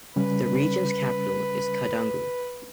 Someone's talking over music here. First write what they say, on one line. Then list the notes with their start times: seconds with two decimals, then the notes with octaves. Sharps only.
The region's capital is Koudougou.
0.16 C#3 G3 C#4 B4